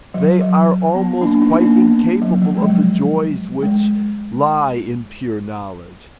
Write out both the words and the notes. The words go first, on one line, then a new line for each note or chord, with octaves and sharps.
They are almost quite incapable of the joys which lie in pure knowledge.
F#3
F#3
B3
A#3 D4
B3 D#4
A#3 D4
B3
F#3
F3
G#3
F#3
G#3